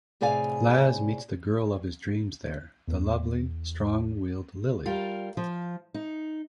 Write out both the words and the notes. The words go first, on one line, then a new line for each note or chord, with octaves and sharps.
Laz meets the girl of his dreams there, the lovely, strong-willed Lily.
A2 C3 G#4 D5 F5 G#5
E2
G3 F4 A#4
F3
D#4